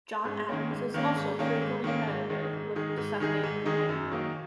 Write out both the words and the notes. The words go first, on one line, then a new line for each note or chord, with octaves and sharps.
John Adams is also frequently credited with disseminating the name.
G#2
D#3 A#3 C#4
G#2
D#3 A#3 C#4
G#2
D#3 A#3 C#4
G#2
D#3 A#3 C#4
G#2
D#3 G#3 D#4 G#4
G#2
D#3 G#3 D#4 G#4
G#2
D#3 G#3 D#4 G#4
G#2
D#3 G#3 D#4 G#4
F#2
D#3 F#3 A#3 D#4